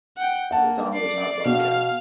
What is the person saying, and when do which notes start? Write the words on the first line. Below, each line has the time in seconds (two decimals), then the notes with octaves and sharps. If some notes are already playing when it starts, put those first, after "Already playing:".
The song was not broadcast.
0.17 F#5 G5
0.51 A#3 F#5 A5
0.93 D5 C7
1.45 B2 F5